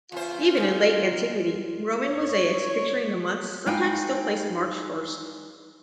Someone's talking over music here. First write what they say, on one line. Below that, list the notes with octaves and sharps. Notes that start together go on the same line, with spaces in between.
Even in late antiquity, Roman mosaics picturing the months sometimes still placed March first.
E2 F4 C5
D#4 G#4
C#5
G#3 D#4 B4 F5 G5 G#5